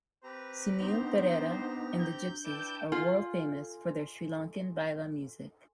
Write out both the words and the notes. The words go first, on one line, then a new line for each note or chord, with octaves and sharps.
Sunil Perera and the Gypsies are world-famous for their Sri Lankan baila music.
C4 G4 B4 A#5
B3 D4 D#4 C5
G6
E4 B4 D5 G5 A5
F4 A4 G#5 C6